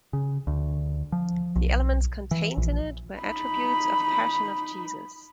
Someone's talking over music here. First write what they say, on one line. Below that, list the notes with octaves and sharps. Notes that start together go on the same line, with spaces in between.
The elements contained in it were attributes of Passion of Jesus.
C#3
D2
F3
B1
E3
A#1
D#4 B5